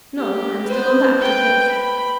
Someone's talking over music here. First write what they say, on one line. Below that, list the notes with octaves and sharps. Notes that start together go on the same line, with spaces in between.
"No, I am still on the active list."
G4
B4 C5
B4 G5
B5